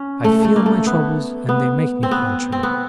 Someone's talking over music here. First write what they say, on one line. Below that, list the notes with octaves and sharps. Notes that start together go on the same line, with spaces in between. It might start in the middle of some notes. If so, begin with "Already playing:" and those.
I feel my troubles, and they make me contrary.
Already playing: C#4
A3
A3
A#3
A3
B3
B3
C4
B3
C4
B3